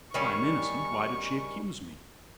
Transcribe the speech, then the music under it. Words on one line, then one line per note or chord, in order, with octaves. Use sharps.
"If I am innocent, why did she accuse me?"
D#3 G3 C#4 C#6